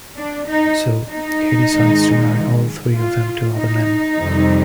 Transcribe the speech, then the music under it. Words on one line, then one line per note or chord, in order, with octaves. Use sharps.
So, he decides to marry all three of them-to other men.
D4
D#4
D#4
G#2 D#3 G#3
F4
D#4
F2 C3 D#3 G3